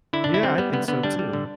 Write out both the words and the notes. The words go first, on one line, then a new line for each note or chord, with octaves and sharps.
Yeah, I think so too.
D3 E4
D4
D3
E4
G3 C4
G3 B3
D3 B3
D3 B3
G3 D4
G3
D3